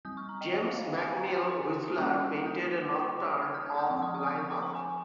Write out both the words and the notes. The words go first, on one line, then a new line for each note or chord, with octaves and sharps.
James McNeill Whistler painted a "Nocturne of Limehouse".
G3 C4 D#6 G6
C#6 F6
A#5 C#6
D#5 G5
C5 D#5
C#5 F5
D#5 G5
F5 G#5
G5 A#5
G#5 C6
A#5 C#6
G#5 C6
D#6
G3 A#3 C#4 A#5 C#6
D#6 G6
F6 G#6
D#6 G6
F6 G#6
D#6 G6
F3 C4 C#6 F6
C6 D#6
C#6 F6
D#6 G6
D#6 G6
C6 D#6
A#5 C#6
G#5 C6